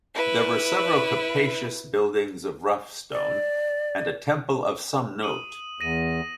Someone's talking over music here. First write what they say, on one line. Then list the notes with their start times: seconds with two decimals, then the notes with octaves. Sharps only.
There were several capacious buildings of rough stone...and a temple of some note.
0.14 E4 B4
3.12 D5
5.23 D#6 D#7 F#7
5.81 E2 A#6 D#7